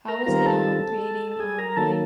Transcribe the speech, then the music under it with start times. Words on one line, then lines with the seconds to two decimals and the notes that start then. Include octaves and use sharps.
How was it, um, creating, um, like,
0.08 A#4 A#5
0.26 D#3 G3 C4 F4 A#4 A#5
0.46 A4 A5
1.31 A5
1.39 G#4 G#5
1.58 A#4 A#5
1.76 D#3 F#3 A#3 A4 A5